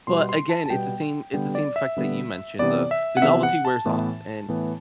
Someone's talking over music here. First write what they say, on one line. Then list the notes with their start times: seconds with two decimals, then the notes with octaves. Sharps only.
But again, it's the same it's the same effect that you mentioned. The the novelty wears off. And
0.07 B2 G3 B3 C6
0.29 C6
0.49 A5
0.66 A5
0.70 B2 G3 B3 G5
1.34 D3 G3 B3 G5
1.55 D5
1.76 E5
1.97 D3 G3 B3
2.59 C3 E3 B3 D5
2.91 E5
3.17 F#5
3.22 C3 E3 B3 E5
3.43 F#5
3.65 A5
3.86 A2 E3 B3
4.48 A2 E3 B3